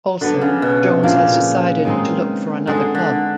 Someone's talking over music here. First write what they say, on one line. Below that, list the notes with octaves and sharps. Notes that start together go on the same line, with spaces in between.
Also, Jones has decided to look for another club.
D3 F#3 B3 D4
C#3
B2
C3
A#2 C#3 F3 A#3 D4
D#3 G#3 C4 D#4
D3 G#3 C4 D#4 G#4
D3